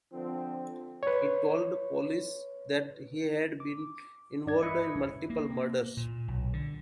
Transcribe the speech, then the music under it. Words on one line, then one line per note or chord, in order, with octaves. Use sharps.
He told police that he had been involved in multiple murders.
D3 F3 C4
B4 C#5
D6
G2 D5 G#6
E4 B4 D#5 C#7
A#3
A#2
B1
D3